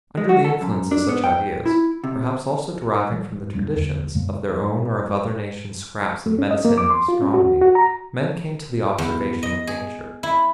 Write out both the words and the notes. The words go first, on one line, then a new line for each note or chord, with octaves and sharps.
Under the influence of such ideas, perhaps also deriving from the traditions of their own or of other nations scraps of medicine and astronomy, men came to the observation of nature.
G#3
F#4
A4
F#2
D4
B3
G5
E4
C3
E3 G3
G#2
F1 G3 A#3 D4
E2 D3
F#2 C#3 G#3 A#3
A3
C#4
D#5
A#3
D6
C6
F4
C#4
F#4
F#4
A#5
E2
D#5
G#4
E4